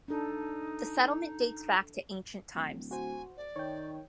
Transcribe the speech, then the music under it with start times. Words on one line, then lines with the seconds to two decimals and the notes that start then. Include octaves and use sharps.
The settlement dates back to ancient times.
0.08 D4 D#4 A4
2.54 D1
2.91 F#4 C5 G#5
3.37 D5
3.56 D#3 C#5 G5